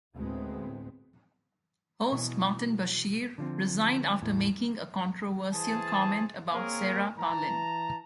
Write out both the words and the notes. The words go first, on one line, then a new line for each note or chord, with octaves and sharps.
Host Martin Bashir resigned after making a controversial comment about Sarah Palin.
D2 A2 G#3 B3 C4
B2 E3
D3 F3 C4
E2 A2
E3 G#4 C5 A5
A#3 C4 G#4 A#4 C#5
E3 A5 A#5